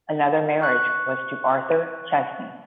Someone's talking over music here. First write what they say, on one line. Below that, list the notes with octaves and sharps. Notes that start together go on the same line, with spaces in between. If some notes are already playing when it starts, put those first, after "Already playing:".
Another marriage was to Arthur Chesney.
C#6 F#6